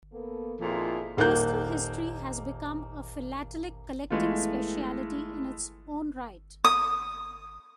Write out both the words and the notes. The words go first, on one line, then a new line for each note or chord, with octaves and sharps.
Postal history has become a philatelic collecting speciality in its own right.
A#3 B3 A4
F2 A#2 F3 D#4 E4 G#4
D#1 A#3 D#4 F#6 G6
E3 G#3 A3 B3 F4
D#6